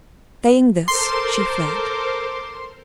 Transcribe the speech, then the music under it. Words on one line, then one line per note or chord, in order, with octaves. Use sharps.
Saying this, she fled.
A4 A#4 C5 C6 D6